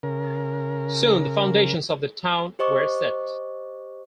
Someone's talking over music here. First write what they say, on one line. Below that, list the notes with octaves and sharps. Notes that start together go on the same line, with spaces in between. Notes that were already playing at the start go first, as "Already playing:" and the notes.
Soon the foundations of the town were set.
C#3 A#4
G4 C5 D#5 C#6 D6